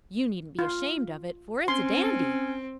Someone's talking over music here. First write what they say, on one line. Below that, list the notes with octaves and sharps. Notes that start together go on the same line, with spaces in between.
You needn't be ashamed of it, for it's a dandy.
F4
C4 C#4 C6